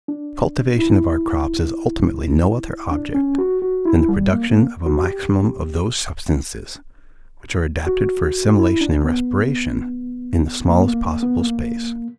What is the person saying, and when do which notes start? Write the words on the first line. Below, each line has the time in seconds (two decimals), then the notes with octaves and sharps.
The cultivation of our crops has ultimately no other object than the production of a maximum of those substances which are adapted for assimilation and respiration, in the smallest possible space.
0.08 D4
0.79 E4
2.91 D4
3.15 C#4
3.38 F#4
3.62 F#4
3.85 E4
4.08 G3
4.33 A#3
4.50 A#3
4.86 F#4
5.04 G4
7.87 F#4
8.57 E4
8.81 D4
9.04 B3
10.69 A#3
10.80 B3
10.87 A#3
11.05 A#3
11.23 B3
11.40 A#3